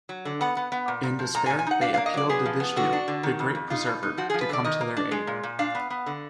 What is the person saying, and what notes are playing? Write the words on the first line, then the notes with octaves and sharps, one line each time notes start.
In despair, they appealed to Vishnu, the great Preserver, to come to their aid.
F#3
D3
B3 F#5
B3
B3
A#2
A#2
F3
A#2 A#5
G#5
A#2
G#5
D#4 F#5
D4 F5
F5
A#3
D#5
F#3 D5
B3 G#4
F3
B3
D3 F#4
D4
D3
D#3
F2
F2
D#4 F4
B2
D#4
F3 F#4
G#4
F3
B4
D3 D5
D#3 D#5
A#3
D4
G#3
A#2
A#2
D4 F5
B3
B3
D3